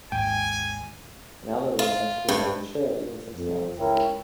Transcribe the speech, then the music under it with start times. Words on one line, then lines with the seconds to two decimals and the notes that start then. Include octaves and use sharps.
An elderly man sitting in a chair, eating some snacks.
0.12 G#1 D#2 G#2 G5 G#5
1.79 F4
2.29 G2
3.36 F2
3.78 C#2 E4 A#4 C#5 G5